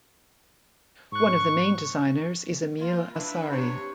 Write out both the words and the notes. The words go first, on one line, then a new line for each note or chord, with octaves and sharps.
One of the main designers is Emile Asari.
G#2 C#6 F#6
A#3 F4
D4 E4 B4
C3 C#5